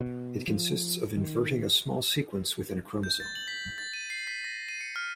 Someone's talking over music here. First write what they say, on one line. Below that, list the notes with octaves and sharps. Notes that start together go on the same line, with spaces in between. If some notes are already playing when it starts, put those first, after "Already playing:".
It consists of inverting a small sequence within a chromosome.
B2
F3
D#3
G6
A6
F#7
B6
A6
D#7
C7
B6
A#6
D#7
C#7
F6